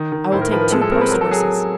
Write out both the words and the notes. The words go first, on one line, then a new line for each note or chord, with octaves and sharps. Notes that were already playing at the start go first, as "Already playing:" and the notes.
"I will take two post-horses."
Already playing: D#3
D#3
A2 C5
A#4
F3 B4
A#4
G#3 A4
A4
C4 A#4
B4
F#3 A#4
A4
F#3 G#4